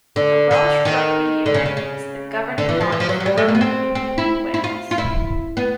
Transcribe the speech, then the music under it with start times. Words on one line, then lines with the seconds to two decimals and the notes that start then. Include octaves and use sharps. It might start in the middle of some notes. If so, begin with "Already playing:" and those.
The Welsh Rugby Union is the governing body for rugby union in Wales.
0.16 D3
0.51 D3
0.85 D#3
1.46 D3
1.54 C#3
1.66 C#3
1.77 C#3
2.58 D3
2.69 E3
2.81 F3
2.92 E3
3.00 F3
3.09 F#3
3.20 F#3
3.26 G3
3.37 A3
3.48 A#3
3.55 B3
3.61 C4
3.95 C4
4.18 E4
4.54 E4
4.64 F4
4.91 F4
4.98 E4
5.57 B3